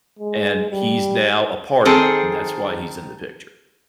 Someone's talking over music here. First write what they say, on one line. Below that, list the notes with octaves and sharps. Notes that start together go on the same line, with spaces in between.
and he's now a part of it, and that's why he's in the picture.
G#3
G3
D#3 C4 G#4 A4